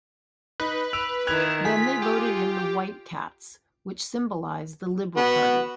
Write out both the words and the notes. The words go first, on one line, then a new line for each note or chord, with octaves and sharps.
Then they voted in the white cats, which symbolized the Liberal Party.
D#4 B4
E6 D7 F7
D#3 E4 F#6 G#6 F7
F4 G#4 B6
G4
B3 F#4